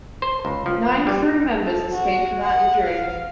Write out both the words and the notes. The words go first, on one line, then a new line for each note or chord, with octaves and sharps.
Nine crew members escaped without injury.
C5
C#2
F3
G3
A4
F#4
F#5
F5